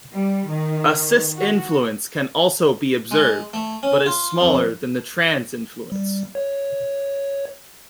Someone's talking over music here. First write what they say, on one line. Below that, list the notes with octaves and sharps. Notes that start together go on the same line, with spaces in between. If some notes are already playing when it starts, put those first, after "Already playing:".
A "cis influence" can also be observed, but is smaller than the trans influence.
G3
D#3
F#4
G#3
A3
C#4
F4
F2
G3
C#5